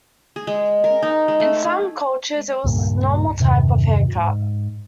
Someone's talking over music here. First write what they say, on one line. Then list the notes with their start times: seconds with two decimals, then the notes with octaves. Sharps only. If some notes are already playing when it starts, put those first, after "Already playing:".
In some cultures it was a normal type of haircut.
0.36 G#4
0.47 G#3
0.84 A#4
1.02 D#4
1.28 G#3
1.40 A3
1.64 G#4
2.64 C#2 G2 A#2
3.40 E2 G2 C3 D#3
4.16 G#2